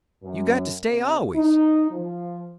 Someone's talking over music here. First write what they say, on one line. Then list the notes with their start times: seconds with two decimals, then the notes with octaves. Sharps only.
You got to stay always.
0.23 F#2
0.87 C3
1.36 D#4
1.91 F3